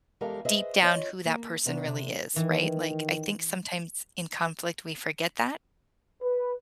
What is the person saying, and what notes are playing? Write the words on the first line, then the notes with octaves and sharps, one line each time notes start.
deep down who that person really is, right? Like, I think sometimes in conflict we forget that
E2 G#3 G4 A4 A#4 F5
G#4 B4 C5 D#5 E5
F4 C#5 D#5
A#3
C3 B3 D4
C3
D#3 E3
B4